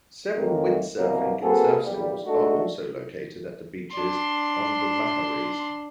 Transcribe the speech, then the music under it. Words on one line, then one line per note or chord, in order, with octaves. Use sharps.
Several windsurfing and surf schools are also located at the beaches on the Maharees.
F2 A2 D#3 E3 A#3 A#4
C2 F#2 B2 E3 A#3 F#4
A#3 C4 F#4 G#4 A4 B4
B1 E2 A#2 G3
G#3 A3 D4 D#4 F#4 A4
D4 C6